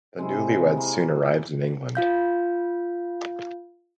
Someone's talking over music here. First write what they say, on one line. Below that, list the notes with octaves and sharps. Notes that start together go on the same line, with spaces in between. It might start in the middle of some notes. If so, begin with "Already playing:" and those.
The newly weds soon arrived in England.
C3 G#3 E4
E3 F3 A#3
F4 F5 G6